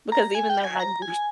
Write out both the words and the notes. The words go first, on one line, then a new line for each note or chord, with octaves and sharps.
because even though I used
A#5
G#5
G5
G#5
A#5
G#5